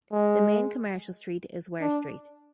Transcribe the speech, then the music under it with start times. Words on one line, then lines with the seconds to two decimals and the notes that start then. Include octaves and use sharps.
The main commercial street is Were Street.
0.12 G#3
1.81 D4